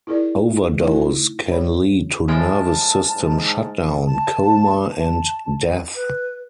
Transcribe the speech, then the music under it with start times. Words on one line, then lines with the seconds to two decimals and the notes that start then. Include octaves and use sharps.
Overdose can lead to nervous system shutdown, coma and death.
0.07 E4 F4 G#4 A#4 D5
0.80 A3 C4 D#4 E4
1.48 C4 C#5 B5
2.28 A2 F3 G#3 G#5 A5 F6 A6
3.16 G#2
4.06 A5
4.91 A5
5.95 B4